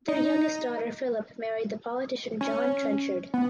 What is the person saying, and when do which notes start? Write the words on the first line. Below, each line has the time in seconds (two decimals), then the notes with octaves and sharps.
Their youngest daughter Philip married the politician John Trenchard.
0.08 D#4
2.41 C#4
3.34 B3